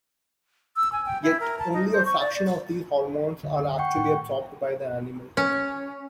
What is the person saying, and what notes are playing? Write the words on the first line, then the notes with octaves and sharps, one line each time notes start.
Yet, only a fraction of these hormones are actually absorbed by the animal.
E6
G#5
G5
E4
A#4
A5
D#4
C5
C#6
D5
D5
F#1 D2 D3
F#5 G5 C#6
A2 D#3
C#4